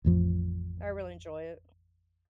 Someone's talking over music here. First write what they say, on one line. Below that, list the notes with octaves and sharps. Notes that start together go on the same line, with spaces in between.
I really enjoy it.
A1 F2 F3